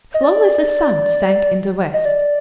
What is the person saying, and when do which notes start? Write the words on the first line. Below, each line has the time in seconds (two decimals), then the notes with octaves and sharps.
Slowly the sun sank in the west.
0.14 D#5
0.23 D5
1.94 D#5
2.05 D5